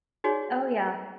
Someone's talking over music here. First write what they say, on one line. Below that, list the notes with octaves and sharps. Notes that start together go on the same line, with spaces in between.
Oh, yeah.
D#4 F#4 G#4 C#5 D5